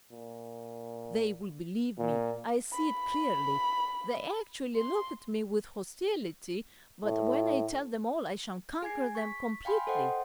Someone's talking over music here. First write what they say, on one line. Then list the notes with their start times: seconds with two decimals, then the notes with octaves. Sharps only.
They will believe me, I see it clearly; they actually look at me with hostility, but when I tell them all I shall conquer them completely.
0.11 A#2
1.98 A#2
2.73 B5
4.76 C6
7.04 A2
8.82 G#4 G#5 G#6 C7
9.15 C#6 B6
9.65 F5 G5 G#5 B5 C6
9.87 A4 C5 D#5 F#5 G5 C6